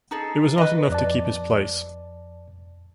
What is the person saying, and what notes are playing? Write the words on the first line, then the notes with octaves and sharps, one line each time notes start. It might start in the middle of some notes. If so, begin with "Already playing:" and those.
It was not enough to keep his place.
D#4 G#4 A4
B4 D#5
F2 D5 A5